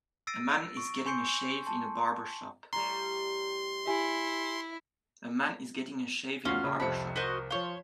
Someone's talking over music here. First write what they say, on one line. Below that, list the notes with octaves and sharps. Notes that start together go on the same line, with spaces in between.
A man is getting a shave in a barber shop.
E6 A6 A#6 C7 D7 D#7
C#6 D7
G#5 C6 C#6 G6 C7 C#7
A5 C6
A2 G3 A#5 C6
E4 G4 G#5
E2 C#4 F4 F#4 F6 C7
C#3 B5
C2 F2 C3 F3 A5 B5 C#7
F#4 A#4 C5 D#5 B6
F3 F4 C5 C#5 F5